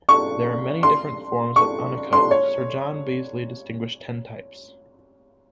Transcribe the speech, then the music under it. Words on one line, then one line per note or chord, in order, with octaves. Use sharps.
There are many different forms of oenochoe; Sir John Beazley distinguished ten types.
C#6
C6
C#6
C6
C#5